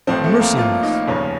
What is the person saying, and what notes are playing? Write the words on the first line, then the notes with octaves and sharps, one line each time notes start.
Mercy on us!
A1 A2 F3 C4
A3
A#3
F4
D#4
F1 D#2 C#3 F3 C#4